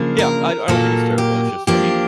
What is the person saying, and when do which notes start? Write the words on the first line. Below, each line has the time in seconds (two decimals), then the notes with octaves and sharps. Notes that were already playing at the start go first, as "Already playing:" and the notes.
Yeah. I I don't think it's terrible. It's just I mean,
Already playing: C#3 F3 A#3 D4
0.18 A#4
0.68 A#2 F#3 A#3 A4
1.18 G4
1.67 F3 A#3 D4 G4